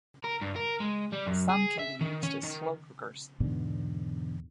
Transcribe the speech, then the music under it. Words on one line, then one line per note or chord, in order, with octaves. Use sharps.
Some can be used as slow cookers.
A#4
G2
A#4
G#3
G3
F#2
G#4
E5
D#3
C#4
D#3
E2 G#2 B2 D3